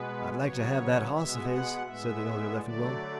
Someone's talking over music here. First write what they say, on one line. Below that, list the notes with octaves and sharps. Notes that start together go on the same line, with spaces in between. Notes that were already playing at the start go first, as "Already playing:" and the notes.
"I'd like to have that hoss of his," said the elder Leffingwell.
Already playing: B2 G#3 B3 B4
C#3 F#3 B3 C#5
B2 G#3 B3 E5
F#5
A2 G#3 B3 E5
D3 F#3 A3 D5